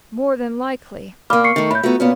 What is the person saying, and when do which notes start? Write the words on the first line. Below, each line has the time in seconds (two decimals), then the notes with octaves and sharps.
"More than likely."
1.30 A#2 A#3 B5 D6 F6
1.44 C#6 C7 C#7
1.56 D#3 A3
1.71 A2 B5 G6
1.83 A3 B3 F4 F#4
2.00 A#2 B3 C#4